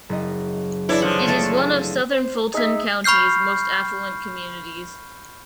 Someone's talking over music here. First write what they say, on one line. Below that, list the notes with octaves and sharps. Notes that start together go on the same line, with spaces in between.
It is one of southern Fulton County's most affluent communities.
F#1 D#5
E3 D4 E4 C#5 D6
D3 F3 F#5
A3 A5 C#6
C5
D#4 G#4 E5
B5 C#6 F6 G6 C7